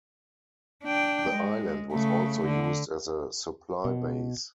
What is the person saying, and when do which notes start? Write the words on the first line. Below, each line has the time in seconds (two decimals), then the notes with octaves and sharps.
The island was also used as a supply base.
0.84 D4 G5
1.31 G#3
1.93 C#3 A3
2.45 D3
3.85 B2